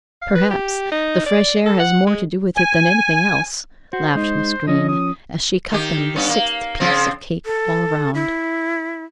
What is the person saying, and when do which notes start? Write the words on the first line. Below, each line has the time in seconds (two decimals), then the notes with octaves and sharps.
"Perhaps the fresh air has more to do with it than anything else," laughed Miss Green, as she cut them the sixth piece of cake all around.
0.22 F5
0.35 B4
0.51 G4
0.92 D#4
1.26 D5
1.65 A4
1.80 F#5
2.07 G#3
2.56 G#5
3.93 F#4 C5
4.15 G#3 D#4
4.68 F3 C#4 D#5
4.88 D#6
5.72 D#3 G4
6.16 G2 B3 C#4
6.29 A#3
6.80 C#3 F3 C4
7.45 A4
8.15 E4